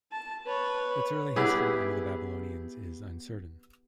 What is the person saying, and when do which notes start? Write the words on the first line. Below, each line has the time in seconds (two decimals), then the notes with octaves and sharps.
Its early history under the Babylonians is uncertain.
0.12 A5
0.46 B4 C#5
1.36 B3 E4 G4 G#4